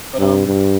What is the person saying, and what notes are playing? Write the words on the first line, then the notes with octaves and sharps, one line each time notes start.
But, um,
G2
G2